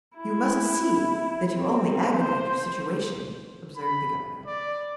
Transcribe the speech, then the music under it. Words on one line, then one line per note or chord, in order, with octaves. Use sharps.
"You must see that you only aggravate your situation," observed the governor.
E4
C4
C5
B5
D5